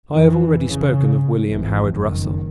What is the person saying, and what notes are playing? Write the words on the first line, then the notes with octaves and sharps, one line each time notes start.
I have already spoken of William Howard Russell.
F2 E3
C#3
G#1 F2 E3
F#1 D#3